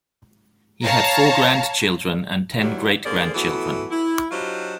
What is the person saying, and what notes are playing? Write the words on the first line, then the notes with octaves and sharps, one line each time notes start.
He had four grandchildren and ten great-grandchildren.
C#5 F5 A5 A#5
D#3 E3 F#3 G3 E4 G4
D3 A#3 G#4 C5 D5
E3 F#3 A3 B3 F#4 A4
E4
F#3 D4 F4 G4 C5 D#5